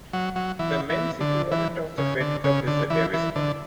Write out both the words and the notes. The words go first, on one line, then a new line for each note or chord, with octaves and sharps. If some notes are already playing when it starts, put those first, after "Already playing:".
The men's equivalent of the Fed Cup is the Davis Cup.
F#3
F#3
E3
E3
D3
E3
C#3
D3
C#3
D3
E3
E3
D3